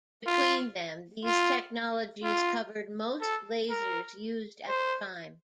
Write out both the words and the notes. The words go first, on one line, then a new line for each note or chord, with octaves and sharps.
Between them, these technologies covered most lasers used at the time.
F4
F4
F4
A4
A#4
C5